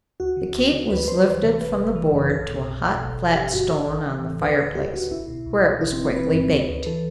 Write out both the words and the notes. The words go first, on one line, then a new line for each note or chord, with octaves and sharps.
The cake was lifted from the board to a hot flat stone on the fireplace, where it was quickly baked.
D2 F#4
D3
D2
D3
D2 B4
D2 C5
B4
E3 C5
C3
G1 B4
G1
E3
F#2
B1 A4
B2
B1
B2
G1
G1
D3 G4
G2 F#4
A1 A4
A1
E3
A2
D2 B4
D3 A4
D2 G4
D3 F#4
C2 E4
B2
C2
B2
G1 E4
C4
G1
C4
E3 B4
G2
D2
D2
E3 A4